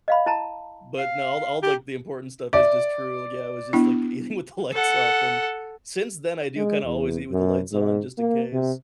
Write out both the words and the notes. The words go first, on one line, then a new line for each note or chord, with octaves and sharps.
But, no, all all, like, the important stuff is just true. Yeah, I was just, like, eating with the lights off and since then, I do kinda always eat with the lights on just in case.
D#5 F5 B5
E4 A5 A#5
F5
E4 G4
D5 E5
B3 D4 E4
A4 F#5
G#3
E2
F#2
G#2
A#3
C3